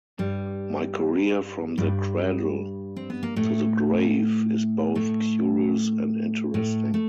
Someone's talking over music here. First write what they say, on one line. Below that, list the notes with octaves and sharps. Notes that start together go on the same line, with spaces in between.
My career from the cradle to the grave is both curious and interesting.
G2 G3
G2 G3
C4
B3
A#3
A2 A3
A2 A3
A2 A3
A3